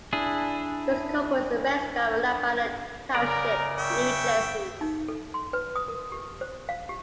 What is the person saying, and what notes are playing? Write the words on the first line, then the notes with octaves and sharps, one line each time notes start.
Piscopo is a resident of Lebanon Township, New Jersey.
D4 E4 G#4
C#3 A#4 D5 A#5
E5 G5 C#6
D#4
A4
C6
B4
D#6
A#4
G4
C5
F5
G4